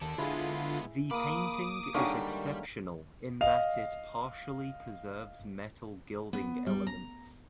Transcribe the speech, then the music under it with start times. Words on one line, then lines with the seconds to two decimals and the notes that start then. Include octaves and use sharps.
The painting is exceptional in that it partially preserves metal gilding elements.
0.01 D#2 D4 A4
0.18 D3 G#3 B3 E4 F4 G#4
1.11 A#3 B5 D6 D#6
1.94 D3 D#3 G3 G#3 C#5 E5 F5
3.41 D#5 F5 F7
6.33 B3
6.67 G3
6.87 A#5